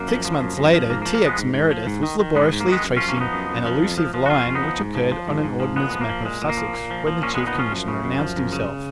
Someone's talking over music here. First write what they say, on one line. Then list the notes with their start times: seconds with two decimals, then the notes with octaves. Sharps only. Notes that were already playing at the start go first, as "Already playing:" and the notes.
Six months later T. X. Meredith was laboriously tracing an elusive line which occurred on an ordnance map of Sussex when the Chief Commissioner announced himself.
Already playing: F#2 A#3
0.08 F3
0.25 F3
0.41 F#2
0.57 F#2
0.73 F3
0.89 G#2 A#3
1.02 A#3
1.06 F3
1.14 A#3
1.22 F3 G#3 B3
1.38 G#2
1.54 G#2
1.71 F3
1.87 G#2
2.03 D#3
2.19 D#3
2.35 G#2 G#3 B3
2.52 G#2
2.61 A#3
2.68 D#3 G#3 B3
2.84 F#2
2.96 F3 C#4 F4
3.08 A#3 C#4
3.17 F3 B3 D#4
3.33 F#2
3.50 F#2
3.66 F3
3.82 F2
3.98 F3
4.14 F3
4.26 F#4
4.30 F2 C#4 F4
4.46 F2
4.55 B3 D#4
4.63 F3
4.79 G#2
4.95 F3
5.12 F3
5.28 G#2
5.44 G#2
5.60 F3
5.76 A#2 G#3 B3
5.92 F3
6.01 A#3
6.09 F3
6.25 A#2 G#3
6.42 A#2
6.49 A#3
6.57 F3
6.74 A#2
6.90 F3
7.07 F3
7.22 A#2 A#3 C#4
7.34 A#2 G#3 B3
7.47 B3 D#4
7.55 F3 C#4 F4
7.72 F#2
7.88 C#3
8.04 F#2
8.20 F3
8.36 F#2
8.53 C#3